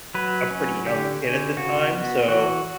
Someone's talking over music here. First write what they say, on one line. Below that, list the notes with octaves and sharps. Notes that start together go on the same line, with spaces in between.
a pretty young kid at the time, so
F#3 B4
C#4
D3 G4
C#4
C#3 F#4
B3
E3 F#4